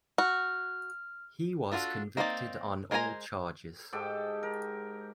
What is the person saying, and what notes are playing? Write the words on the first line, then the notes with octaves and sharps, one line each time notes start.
He was convicted on all charges.
F#4 F6
D4 F4 F#4 A4 A#4
A#3 C4 D#4 F#4 D5
G#3 A#4 C5 G#5 A#5
G#2 G4 A4 G5
A#4